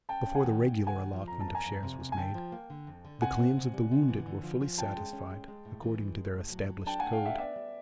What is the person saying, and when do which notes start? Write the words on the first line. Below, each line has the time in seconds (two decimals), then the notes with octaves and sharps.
Before the regular allotment of shares was made, the claims of the wounded were fully satisfied according to their established code.
0.09 C#4 G5 A5
0.27 C#4
0.35 F#5 G#5
0.44 D#3
0.61 C3
0.78 C3
0.87 F#5 G#5
0.96 D#3
1.13 F3
1.28 F2 A#5
1.41 A5
1.48 A#3
1.55 G#5 A#5
1.65 F2
1.83 C3
2.00 F2
2.12 G#5
2.17 D3 G5 A5
2.35 F3
2.52 A#3
2.70 D3
2.87 F2
3.05 D3
3.22 C3 F#5 G#5
3.39 C4
3.57 C3
3.73 G3
3.91 C3
4.08 E3
4.26 D3
4.43 F3
4.61 F3
4.78 C#4 G5 A5
4.96 G#3
5.13 C#4
5.30 G#3
5.48 G#3
5.65 A2
5.82 E3
6.00 G#3
6.17 G#3
6.34 A2
6.52 F#3
6.69 F#3
6.86 D4 G5 A5
7.00 A3 F#5 G#5
7.13 F5 G5
7.22 D4 E5 F#5
7.38 B3 D5 E5
7.56 G3